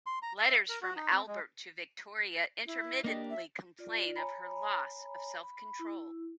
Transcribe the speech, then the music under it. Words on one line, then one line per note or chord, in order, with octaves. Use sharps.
Letters from Albert to Victoria intermittently complain of her loss of self-control.
C6
A#5
E5
A#4
F#4
D#4
C4
G#3
E4
A#3 D4 G4 D#5
E5
F4 D5
C#5 G#5 A#5 B5
B5
E4